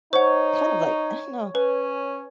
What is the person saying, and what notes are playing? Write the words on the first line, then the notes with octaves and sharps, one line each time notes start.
kind of like, I don't know,
D#4 C5 C#5 F#5
C#4 B4